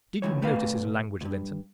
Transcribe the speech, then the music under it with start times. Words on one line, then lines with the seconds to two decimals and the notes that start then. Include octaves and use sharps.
Did you notice his language, Linton?
0.22 D2 G2 E3 C#5
0.42 B2 A3 B3 B4 D#5 F5
1.21 C#2 G2